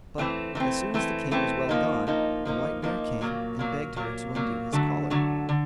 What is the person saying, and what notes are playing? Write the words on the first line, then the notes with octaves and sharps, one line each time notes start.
But as soon as the king was well gone, the white bear came and begged her to undo his collar.
E3 A3 C4
E3 A3 C4
E3 A3 C4
E3 A3 C4
F3 A#3 D#4
F3 A#3 D#4
F3 A#3 D#4
F3 A#3 D#4
A#2 F#3 A#3
A#2 F#3 A#3
A#2 F#3 A#3
A#2 F#3 A#3
D3 F#3 A3
D3 F#3 A3
D3